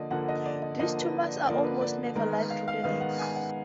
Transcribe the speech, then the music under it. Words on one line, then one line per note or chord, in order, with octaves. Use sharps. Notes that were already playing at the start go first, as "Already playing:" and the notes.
These tumors are almost never life threatening.
Already playing: D3 F3 A#3 D5 D#5
D3 F3 A#3 F#5
D#5
D5
D#5
D3 F3 A#3 D#5
B4
D5
D3 F3 A#3 D5
B4
D5
D#3 G#3 B3 A#4
B4
F5
F5
D#3 G#3 B3 F5
F#5
G#5
F#5